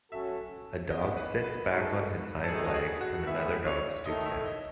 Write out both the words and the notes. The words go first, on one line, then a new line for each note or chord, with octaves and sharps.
A dog sits back on his hind legs and another dog stoops down.
F#3 C#4 F#4 A4 E5
C#3 E3 B3 D#5
B4
B4
G#3 D#4 F#4 A4
A4
D#3 A3 D#4 G#4
F#4
G#4
F#4
A2 G#3 B3 E4 E5
C#5
D#3 A3 E4 A4 D#5
E5
D#5